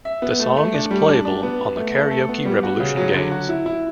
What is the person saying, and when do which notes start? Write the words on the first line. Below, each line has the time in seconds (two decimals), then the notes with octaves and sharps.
The song is playable on the Karaoke Revolution games.
0.05 E5
0.22 B3
0.39 A3
0.57 A3
0.74 D4
0.91 G3
1.08 D4
1.25 D4
1.43 B3
1.60 B3
1.77 A3
1.95 A3
2.11 A4
2.29 B3
2.45 G3
2.63 F#4
2.80 C#3
2.97 F#3
3.14 D3
3.31 F#4
3.49 E4
3.66 E4